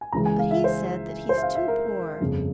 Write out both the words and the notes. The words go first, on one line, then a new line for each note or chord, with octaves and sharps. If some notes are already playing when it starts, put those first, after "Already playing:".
But he said that he is too poor.
G#5
C#2 C#3 E3 G#3 A#5
G#5
F5
E5
C5
C5
E5
F5
E5
A#4
G1 F2 C#3